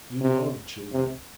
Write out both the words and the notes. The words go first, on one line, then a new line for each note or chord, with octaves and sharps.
You love children.'
C3
C3